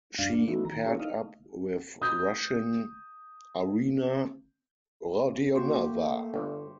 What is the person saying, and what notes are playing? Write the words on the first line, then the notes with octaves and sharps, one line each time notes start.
She paired-up with Russian Arina Rodionova.
F#2 G3 D4 F5
A#3 D4
E3 A3 B3 D#4 E4 F#4
D#3 A#5
C#4 E4 F4 G#4 A#4 C#5
D#4 E4 D#5 F5
D#6 G6
A#3 F#4 G4 C5 C#6
A3
G1